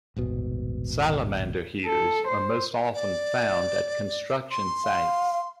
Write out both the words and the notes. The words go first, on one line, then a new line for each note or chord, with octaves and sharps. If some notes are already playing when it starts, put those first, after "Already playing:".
Salamander heaters are most often found at construction sites.
D#1 G#1 B2
A4
C5
D5
C6
F5